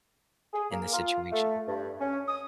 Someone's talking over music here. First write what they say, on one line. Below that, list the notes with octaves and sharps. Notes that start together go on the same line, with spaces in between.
in this situation."
G#4
A#3
F4
A3
G2
C#4
D#6